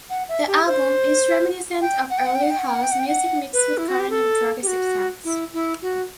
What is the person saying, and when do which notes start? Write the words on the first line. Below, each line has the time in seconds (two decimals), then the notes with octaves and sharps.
The album is reminiscent of earlier house music mixed with current and progressive sounds.
0.10 F#5
0.29 E5
0.47 G4
0.67 C5
1.82 G5
2.10 F#5
2.18 G5
2.26 F#5
2.35 G5
2.42 F#5
2.50 G5
2.59 F#5
2.67 G5
2.74 F#5
2.83 G5
2.92 F#5
2.99 G5
3.07 F#5
3.53 B4
3.78 E4
3.88 F#4
3.99 G4
4.10 A4
4.62 G4
4.67 F#4
5.25 E4
5.53 E4
5.82 F#4